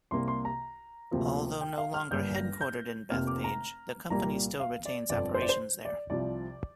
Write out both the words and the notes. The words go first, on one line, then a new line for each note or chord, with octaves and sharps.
Although no longer headquartered in Bethpage, the company still retains operations there.
C2 C3 A#3 C6
C6
A#5
D2 C3 F3 A#3
G5
F5
F6
G1 G2 G3 A#3 G6
A#6
G6
F1 F2 C3 A#3 F6
D6
A#5
C2 A#2 G3 A#3 A#5
F5
D5
G1 F2 D3 D5
C5
D5
C5
D5
C2 C3 F3 D5